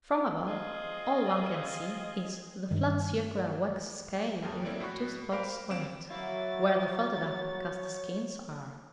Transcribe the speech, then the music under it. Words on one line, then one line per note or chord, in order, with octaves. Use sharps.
From above, all one can see is the flat circular wax scale with two spots on it, where the folded-up cast skins are.
C4 F4 G#4 D#5
G2 D#3
F#2 G#4 A#4 G5 A5 D#6
A#3 C4 E4 A4 C#5 D5
A2 F#4 B5 C#6 F#6
A#4 C5 F5 B5 D7
D#2 C4 F5 D7 E7
F#3 A#3 E4 F#4 C#5 A6